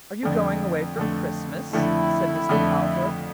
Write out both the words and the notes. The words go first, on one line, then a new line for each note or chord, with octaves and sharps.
"Are you going away for Christmas?" said Mr. Calthorp.
F2 D3 A3
F2 D3 A3
F2 D3 A3 E4
F2 D3 A3